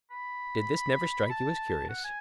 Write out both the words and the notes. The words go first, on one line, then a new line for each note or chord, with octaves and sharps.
Did this never strike you as curious?
B5
B5
A5
F#5
G#5